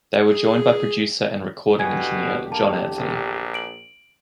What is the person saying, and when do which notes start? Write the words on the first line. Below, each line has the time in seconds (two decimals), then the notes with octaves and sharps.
They were joined by producer and recording engineer John Anthony.
0.25 G#4
1.79 E2 B2 D3 G4 G#5 G#6
2.52 A#3 A5
2.95 A#1
3.54 D7 F#7